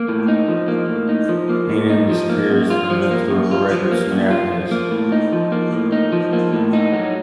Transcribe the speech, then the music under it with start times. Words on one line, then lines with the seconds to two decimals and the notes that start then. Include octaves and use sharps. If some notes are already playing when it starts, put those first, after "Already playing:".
Menen disappears from the historical record soon after this.
Already playing: A#3
0.08 A2
0.28 D#4
0.48 F3
0.68 A#3
0.88 A2
1.09 D#4
1.29 F3
1.50 A#3
1.70 A2
1.90 D#4
2.10 F3
2.29 A#3
2.49 F#2
2.70 F4
2.90 F3
3.11 A#3
3.30 F#2
3.51 F4
3.71 F3
3.91 A#3
4.11 F#2
4.31 F4
4.51 F3
4.71 A#3
4.91 A2
5.12 D#4
5.32 F3
5.52 A#3
5.73 A2
5.92 D#4
6.12 F3
6.33 A#3
6.53 A2
6.73 D#4
6.93 F#3